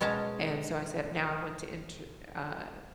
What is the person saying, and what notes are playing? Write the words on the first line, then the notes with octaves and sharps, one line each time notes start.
and so I said, “Now I want to enter “uh,
B2 G#3 C#4 A5 A#5